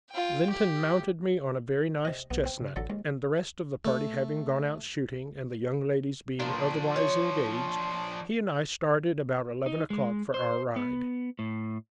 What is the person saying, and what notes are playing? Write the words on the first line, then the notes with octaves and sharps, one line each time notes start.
Lynton mounted me on a very nice chestnut, and the rest of the party having gone out shooting, and the young ladies being otherwise engaged, he and I started about eleven o'clock for our ride.
F4 G5
G4
C3 D#5
B1 B3
C4
C#3
A1 D3 F#3 A4
D#2 G#3
A3
A#2 F3 D4 B4
C#5
D#4
G#3
C5
B3
A2